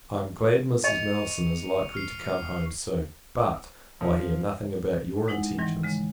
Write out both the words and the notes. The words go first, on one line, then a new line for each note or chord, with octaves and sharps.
I am glad Mrs. Nelson is likely to come home soon; but, I hear nothing about your intentions.
D#5 C#6 C#7 F7
F6 C7
F3
G#3 D#4 E4 F#5
G#2 D#3 E3 F#3 G3
C#3 G#3